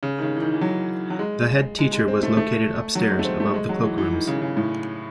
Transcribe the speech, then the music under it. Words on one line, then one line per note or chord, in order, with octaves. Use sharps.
The head teacher was located upstairs above the cloakrooms.
C#3
D#3
C#3
E3
D#3
E3
F#3
F#3
G#3
G#3
G#3
C4
A3
A3
F#3
G#3
A3
C4
A3
G#3
F#3
E3
E3
D#3
C#3
C#3
A2